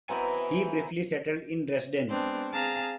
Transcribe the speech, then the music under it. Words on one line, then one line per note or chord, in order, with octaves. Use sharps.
He briefly settled in Dresden.
F#3 B3 C4 E4 A#4 D#5 G#5 B5
G#3 B3 C4 D4
C4 G#4 F5 A5 A#5